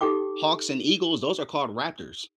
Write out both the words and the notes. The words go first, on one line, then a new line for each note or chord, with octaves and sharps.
hawks and eagles, those are called raptors.
D#4 G4 A4 G5 D6